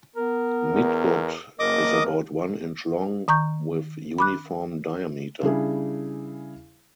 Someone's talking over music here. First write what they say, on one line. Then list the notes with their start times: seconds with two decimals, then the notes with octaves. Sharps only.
Midgut is about one inch long with uniform diameter.
0.16 B3 A#4
0.73 E2
1.59 F#1 A#3 A#4 D#5 D6 D#6
3.28 D#3 A#5 C#6 G6
4.18 B5 D6 F#6
5.43 C#3 G3 D4 E4 G#4